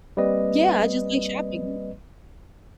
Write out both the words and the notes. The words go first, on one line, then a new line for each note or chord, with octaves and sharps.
Yeah, I just like shopping.
G3 A#3 C4 B4 D5 D#5